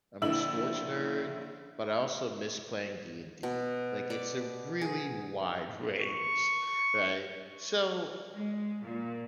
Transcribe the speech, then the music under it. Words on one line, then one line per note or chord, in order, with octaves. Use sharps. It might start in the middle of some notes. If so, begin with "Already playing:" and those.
I'm a sports nerd, but I also miss playing D&D, like, it's a really wide range, right? So
A#1 D3 E4 E6 F#7
B2
D5
G#4
C#6
G#3
A#2